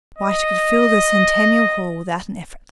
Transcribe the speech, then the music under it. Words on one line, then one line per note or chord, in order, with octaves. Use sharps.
Why, she could fill the Centennial Hall without an effort.
D#5